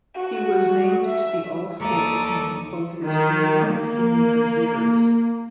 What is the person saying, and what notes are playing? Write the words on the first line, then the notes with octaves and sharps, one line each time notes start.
He was named to the All-State team both his junior and senior years.
F#4
E5
D#2 A4 D5 A#5 C#6 D#6
D#3
A#3